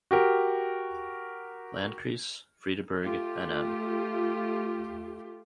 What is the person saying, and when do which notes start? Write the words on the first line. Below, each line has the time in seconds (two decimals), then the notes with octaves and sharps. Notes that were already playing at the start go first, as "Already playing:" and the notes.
Landkreis Friedeberg Nm.
0.11 F#4 G4 A#4
3.03 A3 F4 G4